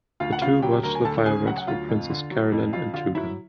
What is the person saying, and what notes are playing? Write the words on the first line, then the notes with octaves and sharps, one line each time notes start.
The two watch the fireworks for Princess Carolyn and Judah.
D2 F4 F5
F#5
C#3 F4 F5
F#3 G4 G5
D2 A#4 A#5
G#5
D2 A4 A5
C#3 G#4 G#5
F#3 F#4 F#5
F#5
D2 F4 F5
F2
D3
F#3
F2
F2 F4 F5
D3 F4 F5
F#3 E4 E5